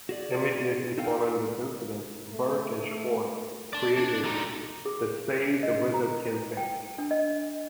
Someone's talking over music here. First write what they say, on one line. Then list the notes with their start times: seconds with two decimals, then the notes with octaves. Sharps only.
Immediately following this incident, Berk and Schwartz created the Save The Wizard Campaign.
0.09 F#4 G#4 D5
0.98 D#4 A4 F5 G5
2.31 A3
3.73 D5 A5
3.98 D4
4.24 D3 D#4
4.85 G#4
5.63 D#5
5.94 A#5
6.57 G5
6.98 D4
7.11 D#5